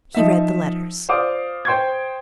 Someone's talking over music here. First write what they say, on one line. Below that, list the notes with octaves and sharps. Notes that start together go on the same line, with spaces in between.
He read the letters.
F3 D#4 E5
F4 C5 D5 F5 D6 D#6
C5 G5 C6 C#6 G6 G#6